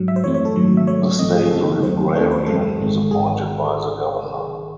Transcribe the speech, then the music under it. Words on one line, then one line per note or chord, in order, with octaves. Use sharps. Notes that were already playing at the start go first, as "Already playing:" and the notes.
The State Librarian is appointed by the Governor.
Already playing: G#2 F#3
E5
C5
F#2 E3 A3 C4 C#5
C#5
A4
G#2 D#3 F#3 A3
E5
G#2 F#3 A3 C#5
A1 G#2 E3 A3 C4 D#5
G#4
G#4
F#2 C#3 E3 C4 A4
D#2 D#3 F#3 A3 C4 C5
D#2 D#3 A3 C4 A4
C5
F#2 E3 G#3 C4 A4
G#1 G#2 D#3 G#3 C4
G#1 G#2 D#3 G#4